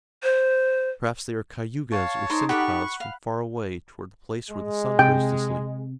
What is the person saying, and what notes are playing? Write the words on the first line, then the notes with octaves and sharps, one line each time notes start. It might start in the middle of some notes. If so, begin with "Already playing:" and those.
Perhaps they are Cayugas or Senecas from far away toward the place Where-The-Sun-Goes-To-Sleep.
C5
C#5 F5 A5
D#4 A#4 C5 C6
G4 A4 F#5 B5 C#6 D6 F#6
F5
G#3
C3 G5